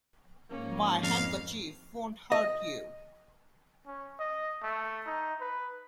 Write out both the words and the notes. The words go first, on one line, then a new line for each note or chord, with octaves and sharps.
My handkerchief won't hurt you.
G#2 F3 A#3 C#4
F2 F5
D#5
C#4
D#5
A3
D#4
B4